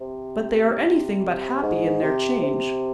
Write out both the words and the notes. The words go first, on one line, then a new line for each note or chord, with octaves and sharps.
But they are anything but happy in their change.
C3
G#2
C3
C3